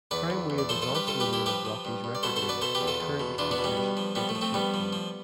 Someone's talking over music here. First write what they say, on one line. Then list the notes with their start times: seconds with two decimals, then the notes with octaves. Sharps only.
CrimeWave is also the name of Rocky's record label, which currently features Fatal Thirteen.
0.11 E2 B4 D5
0.30 E2
0.50 E2
0.58 D5
0.69 F3 A4 C5
0.82 F4 A4
0.88 G2
0.95 G4 B4
1.07 G2 F4 A4
1.20 G4 B4
1.26 G2
1.33 E4 G4
1.46 F3 G4 B4
1.65 F3
1.85 G2
2.04 G2
2.15 D5
2.23 B2 A4 C5
2.36 A4 C5
2.42 B2
2.49 B4 D5
2.61 B2 A4 C5
2.75 G4 B4
2.81 E2
2.87 F4 A4
3.01 E2
3.20 B2
3.38 E2 D4 F4
3.51 B3 D4
3.58 B2
3.64 G3 B3
3.77 G2
3.97 F3
4.15 F3 G3 B3
4.29 A3
4.35 F3
4.41 A3 C4
4.54 G2 G3 B3
4.74 F3
4.93 F3